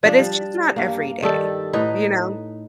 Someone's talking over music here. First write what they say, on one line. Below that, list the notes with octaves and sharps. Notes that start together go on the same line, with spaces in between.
But it's just not every day, you know?
F3 D4
G3
G2 A#3
D#3 G3 A4
A2 D#4 B4